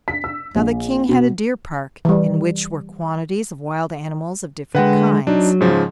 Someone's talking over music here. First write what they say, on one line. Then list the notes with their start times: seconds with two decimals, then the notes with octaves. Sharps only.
Now the King had a deer park in which were quantities of wild animals of different kinds.
0.08 B6
0.24 E6
0.56 A#1
1.09 B2
2.05 E3 G3
4.75 D3 G#3 B4 F#5 G5
5.27 F#3 D4 D#4
5.61 G#2 C#3 F3